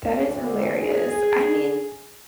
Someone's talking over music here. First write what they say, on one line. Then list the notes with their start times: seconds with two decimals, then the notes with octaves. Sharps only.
That is hilarious. I mean,
0.24 D2
0.76 G#4